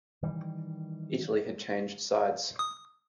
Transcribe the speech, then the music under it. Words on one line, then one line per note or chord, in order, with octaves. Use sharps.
Italy had changed sides.
D#3 E3 G3
D#6